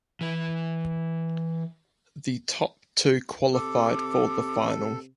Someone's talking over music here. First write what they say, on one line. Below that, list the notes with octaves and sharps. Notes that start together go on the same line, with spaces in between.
The top two qualified for the final.
E3 B4
C3 A4 D6